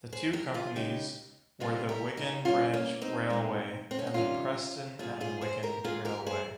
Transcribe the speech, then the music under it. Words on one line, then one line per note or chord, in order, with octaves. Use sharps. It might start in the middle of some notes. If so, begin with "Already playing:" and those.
The two companies were the Wigan Branch Railway and the Preston and Wigan Railway.
G#4 C5
G4 A#4
F4 G#4
C#3 G#3 D#4 G4
C3 G3 F4 G#4
G4 A#4
D#4 G4
C3 G3 C#4 F4
A#3 C#4
C4 D#4
A#2 G#3
C4
C#4
D#4
C3 D#3 G3 C#4 F4
A#2 G3 F4 G#4
F4 G#4
G#4 C5
G4 A#4
A#2 G#3 F4 G#4
G4 A#4
G#4 C5